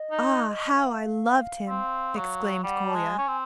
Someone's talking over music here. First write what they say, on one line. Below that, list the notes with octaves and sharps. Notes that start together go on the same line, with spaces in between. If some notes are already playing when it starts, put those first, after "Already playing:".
"Ah, how I loved him!" exclaimed Kolya.
Already playing: D#5
D#4
F5
C4
F#3
G3 F#5
A5
G#3
G#5
C#4
C4